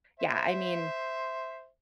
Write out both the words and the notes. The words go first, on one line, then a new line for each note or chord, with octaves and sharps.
yeah, I mean,
C5 E5